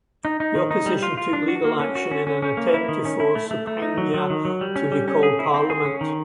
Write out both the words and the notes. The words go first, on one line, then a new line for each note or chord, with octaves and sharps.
The opposition took legal action in an attempt to force Sopoanga to recall parliament.
D#4
D#4
D#3
D#4
G3
F4
F4
D4
F#4
A#3
C#4
F#4
C#4
C#4
C#4
A#3
E4
D#3
C#4
E4
A3
A3
A3
D#4
F#3
F#3
D#3
F#3
G3
C#4
G3
C#4
G#4
E4
C4
G#4
C#4
D#3